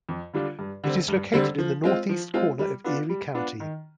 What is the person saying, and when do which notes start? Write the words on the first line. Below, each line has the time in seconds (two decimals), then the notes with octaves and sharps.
It is located in the northeastern corner of Erie County.
0.09 F2
0.34 D3 G3 D4 F4
0.59 G2
0.84 D3 G3 C4
1.08 G2
1.33 D3 G3 C4
1.58 F3
1.84 G#3 C4 F4
2.09 F3
2.34 G#3 C4 F4
2.59 G3
2.84 B3 D4 F4
3.09 G3
3.34 B3 D4 F4
3.60 D#3